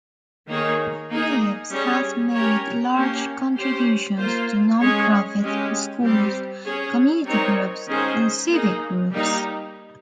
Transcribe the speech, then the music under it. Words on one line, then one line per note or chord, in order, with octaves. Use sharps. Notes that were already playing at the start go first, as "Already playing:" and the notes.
Phillips has made large contributions to non-profits, schools, community groups, and civic groups.
D#3 A#3 D#4 G#4 C#5
A#3 D#4 G#4
G3 C#4 G#4 C#5
C#4 G4 A#4 C#5
A#3 C#4 G4
C#4 G4 C5
A#3 F4 C5
G#3 C#4 G#4 C#5
G#3 C#4 G4
G3 C4 G4
C#4 G#4 C#5
G3 C4 D#4 A#4 C#5
D#3 G#3 C#4 G#4 C5
A#3 D#4 G#4
G3 A#3 D#4 G4